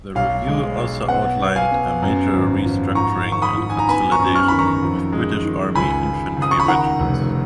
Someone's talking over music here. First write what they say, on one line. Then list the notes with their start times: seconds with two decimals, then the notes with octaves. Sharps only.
The review also outlined a major restructuring and consolidation of British Army Infantry regiments.
0.15 B1 F5
0.47 G#3
0.78 B1
1.08 B3 F#5
1.40 B3
1.56 F5 G#5
1.71 B3
2.02 F#2
2.34 G#1
2.64 F3
2.95 G#2 A#5 C#6
3.26 D#3
3.32 C#6
3.42 B5 D#6
3.57 G#2
3.70 G#5
3.79 A#5
3.89 B3 G#5 B5
4.12 A#5 C#6
4.19 F#2
4.35 C#6 F6
4.48 D#3 B5
4.59 A#5 C#6
4.83 F2
5.12 G#3
5.45 D#3
5.75 C#2 G#5 B5
6.06 C#2
6.37 C#2
6.42 D#6
6.51 C#6
6.60 B5
6.68 D#3 F#5 A#5
7.00 F1